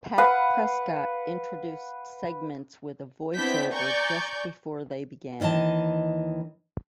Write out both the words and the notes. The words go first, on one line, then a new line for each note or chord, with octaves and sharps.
Pat Prescott introduced segments with a voiceover just before they began.
B4 F5 F#5
B3 C4 D4 E4 G6 B6
D5 G#5 A#5 C#6 G6
D#2 D#3 E3 D#5 A5